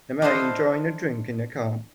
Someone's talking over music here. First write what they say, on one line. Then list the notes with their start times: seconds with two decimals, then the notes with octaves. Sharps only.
A man enjoying a drink in a cup.
0.22 D4 E4 F4 A4 C5 D#5